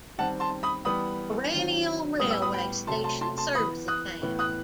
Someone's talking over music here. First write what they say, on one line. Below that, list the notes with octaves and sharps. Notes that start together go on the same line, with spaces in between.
Eraniel Railway Station serves the town.
D#3 G3 C4 F#5 A5
A5 C6
B5 D#6
E3 G3 B3 B5 D#6
D#3 F#3 C4
A2 G3 B3 D#6
E6
B5 D#6
G5 B5
C3 F#3 A3 A5 C6
A5 C6
A5 C6
A5 C6
E3 B3 B5 D#6
D#6 F#6
A2 E3 B3
D#6 F#6